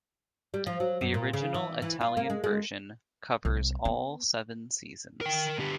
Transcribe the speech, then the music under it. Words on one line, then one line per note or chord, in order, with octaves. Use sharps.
The original Italian version covers all seven seasons.
G3
F3
F#3
F#2
A#2
C#3
E3
E3
F4
A#3
G#3
G#3
C2
B3
A#4 G5
D3 G4